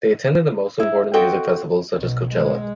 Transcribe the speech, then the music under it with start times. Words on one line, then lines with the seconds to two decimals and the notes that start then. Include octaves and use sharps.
They attended the most important music festivals such as Coachella.
0.80 E4
1.14 C4 F#4 A4 D#5 F5 G5
1.97 B1 B2
2.33 G#3